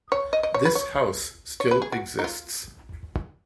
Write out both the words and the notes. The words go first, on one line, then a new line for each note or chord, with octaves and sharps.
This house still exists.
C#5
D#5
D#5
C#5
B4
C#5
C#5
B4
G#4
F#4
D#4
F4